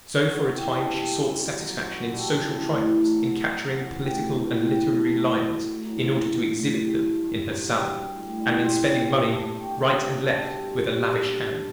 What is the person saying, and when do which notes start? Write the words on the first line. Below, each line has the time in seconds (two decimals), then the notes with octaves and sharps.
So for a time she sought satisfaction in social triumphs, in capturing political and literary lions in order to exhibit them in her salon, and in spending money right and left with a lavish hand.
0.17 F#4
0.28 B2 E4
0.51 B2 G4
0.74 G3 A4
0.97 G3 E5
1.21 F#2 E5
1.44 F#3
1.67 F#3
1.83 F#4
1.90 F#2
2.13 G3 A4
2.36 E3
2.59 A2
2.83 A2
3.06 F#3
3.30 F#3
3.52 F#3
3.76 F#3
3.98 A2 G4
4.22 A2
4.30 F#4
4.45 A2
4.61 G4
4.69 A2
4.92 A2 A3
5.15 F#3
5.37 F#3
5.61 A2
5.85 F#3
6.08 F#3
6.31 A2
6.54 A2
6.77 G2
7.01 G2
7.23 G2
7.47 F#3
7.70 G3
7.94 G3
8.16 A2
8.40 G3
8.62 G3 C4
8.85 G3
8.93 B3
9.09 G2
9.25 A3
9.32 G2
9.55 G3 G4
9.64 F#4
9.71 G4
9.78 G3
9.87 G4
10.01 B2
10.16 A4
10.25 G3
10.48 G2
10.71 G2
10.94 G2
11.17 G2
11.41 D3